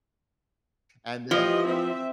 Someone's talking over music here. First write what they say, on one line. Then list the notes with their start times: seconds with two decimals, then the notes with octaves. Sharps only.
And then
1.31 E3 F3 G4 D#5
1.67 C4 E5